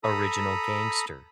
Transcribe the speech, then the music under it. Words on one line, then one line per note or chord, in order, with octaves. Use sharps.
Original Gangster.
A4 A#5 B5 D#6